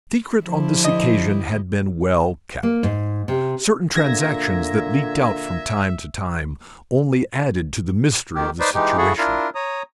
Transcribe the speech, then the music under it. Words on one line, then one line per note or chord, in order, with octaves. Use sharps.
The secret on this occasion had been well kept. Certain transactions that leaked out from time to time only added to the mystery of the situation.
D3 F3 E4 G4
D#5
A#3
G#2
C3
A#2 D3 E5 G#6 A#6
F2 D#3 G4
D#4 B4 C5 D5
E3 G#3 D#4 G4
C#3 F#3 E4 F#4 G#4 A4
D4 E4 F4 A#4
C#5 A#5 D#6